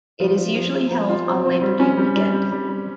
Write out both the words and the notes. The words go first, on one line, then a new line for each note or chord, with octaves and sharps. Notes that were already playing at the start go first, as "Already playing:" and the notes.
It is usually held on Labor Day weekend.
F3
F3
F3
C4
F3
F4
C4
C4
G3
C#4
G3
G3
G3
G3
G3